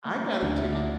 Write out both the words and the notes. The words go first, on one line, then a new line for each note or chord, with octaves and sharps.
I got a ticket
A3
A#3
C4
D2 D4
E4
D2
D4